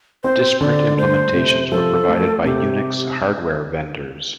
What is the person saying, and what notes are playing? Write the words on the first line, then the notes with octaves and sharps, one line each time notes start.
Disparate implementations were provided by Unix hardware vendors.
C4 C5
D3 D5
A3 C5
C3
F3 A4
A3
C3 G4